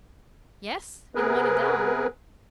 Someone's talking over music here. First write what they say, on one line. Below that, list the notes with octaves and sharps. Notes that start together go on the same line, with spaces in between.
"Yes--in money down."
C3 B3 G#4 A#4 B4